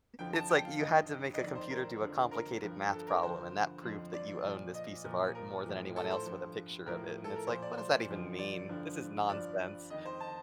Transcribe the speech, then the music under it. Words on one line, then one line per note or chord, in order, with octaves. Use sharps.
it's like you had to make a computer do a complicated math problem, and that proved that you own this piece of art more than anyone else with a picture of it. And it's like, "What does that even mean? This is nonsense."
F2 D3 F3 G5
A5
G5
F5
G2 D#3 D#5
D#5
F2 D#3 D5
C5
A#4
F2 D3 F3
A#4
G2 F3
A4
A#4
G2 D3 F3 C5
F2 D3 F3
D5
A#2 F3
D#5
A#2 F3
A#4
A2 F3
A4
C5
G2 F3
A2 F3 A#4
A4
A#4
A#2 F3 C5
D5
C5
F2 D3 F3
D5
G2 D3 F3
G2 F3 D5
F2 D#3 D#5
C5
A5